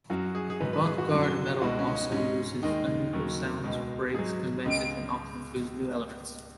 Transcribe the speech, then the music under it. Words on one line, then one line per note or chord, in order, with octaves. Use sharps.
Avant-garde metal also uses unusual sounds, breaks conventions, and often includes new elements.
F#2 F#3 F#4
G#4
G#4
G#2 F#3 B4
B4
G#4
F#4
F#2 F#3
C#2 B2 G#3 F#4
C#4
D#4
G#2 G#3 C#4
D#2 D#3 G#3 D#4
D#2 C#3 F#3
C#2 B2 G#3
G#2 F#3 G#4
C#2 C#3 G#3